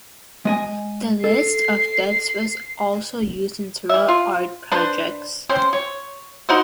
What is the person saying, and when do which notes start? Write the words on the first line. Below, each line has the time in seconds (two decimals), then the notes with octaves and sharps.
The "List of Deaths" was also used in several art projects.
0.45 G#3 D#5 G#5
1.24 A4 C7
3.89 E3 E5
4.08 F4
4.71 D4 B4 C5
5.49 C4 C#4 C5
5.73 C#5
6.49 D#4 E4 F#4 C5